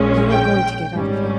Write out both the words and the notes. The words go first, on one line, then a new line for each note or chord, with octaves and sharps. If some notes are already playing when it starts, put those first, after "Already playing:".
"You are going to get out of here."
Already playing: A#1 A#2 G#3 C#4
G5
G#1 G#2 G3 C#4